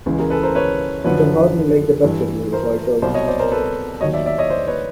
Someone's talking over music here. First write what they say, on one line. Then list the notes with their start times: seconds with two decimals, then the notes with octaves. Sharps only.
You can hardly make the best of me if I don't.
0.06 C#2 C#3 E3
0.19 G#4 A#4
0.30 A4 B4
0.43 A#4 C5
0.55 B4 C#5
1.04 F#2 D3 F3 B4 C#5
2.04 G2 E3
2.53 A#4 C5
3.02 C2 B2 F#3 C5 D5
3.14 C#5 D#5
3.28 C5 D5
3.40 A#4 C5
3.52 A4 B4
4.01 D#2 D#3 F#3 C#5 D#5
4.13 D5 E5
4.26 D5 E5
4.38 C#5 D#5
4.50 C5 D5
4.67 B4 C#5